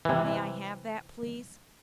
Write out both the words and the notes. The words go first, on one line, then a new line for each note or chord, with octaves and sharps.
"May I have that please?"
C3 E3